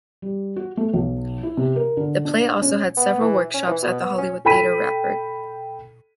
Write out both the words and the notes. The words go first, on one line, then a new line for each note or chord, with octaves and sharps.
The play also had several workshops at the Hollywood Theatre Rapport.
G3
F#4
A3
B1
E4
C3
A#4
D3
D4
C#4
B3
E3
C#4
E3
B2
B3
C#4
A4 G5 B5 B6 D#7